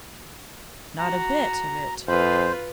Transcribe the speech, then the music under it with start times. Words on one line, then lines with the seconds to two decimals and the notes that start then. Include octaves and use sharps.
'Not a bit of it.
0.98 F#4 A#5
2.08 F2 F4 B4 C5